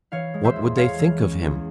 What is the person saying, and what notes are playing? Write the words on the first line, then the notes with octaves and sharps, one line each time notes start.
What would they think of him?
E3 C#5 F5
G#3
C5 E5
E2
G#3 C#5 F5
E3
C#4
E2